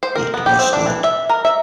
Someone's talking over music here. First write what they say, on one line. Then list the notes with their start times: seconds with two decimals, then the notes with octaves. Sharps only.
It was not.
0.03 C5
0.15 A#4
0.34 B3
0.46 G4
0.59 C4
0.73 D4
0.86 E3
1.04 E5
1.29 A#4
1.45 E5